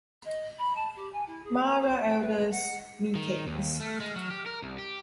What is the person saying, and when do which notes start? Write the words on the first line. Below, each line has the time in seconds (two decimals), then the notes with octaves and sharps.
Mara Elders Meetings.
0.25 D#5
0.58 B5
0.75 A5
0.96 G4
1.13 G#5
1.27 E4
1.44 G#4
1.64 A#5
1.82 C5
2.09 G5
2.21 B4
2.51 F#5
3.15 D#3
3.47 D#2
3.80 A3
4.01 G#3
4.16 F#3
4.31 G4
4.47 A#4
4.63 C2
4.78 G4